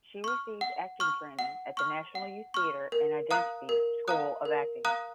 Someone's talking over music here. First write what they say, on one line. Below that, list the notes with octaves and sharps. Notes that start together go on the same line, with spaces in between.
She received acting training at the National Youth Theatre and Identity School of Acting.
C#6 F6
F#5
C#6 F6
F#5
C#6 F6
F#5
C#6 F6
A#4
F5 A#5 D#6 F#6
A#4
F5 A#5 D#6 F#6
A#4
F5 A#5 D#6 F#6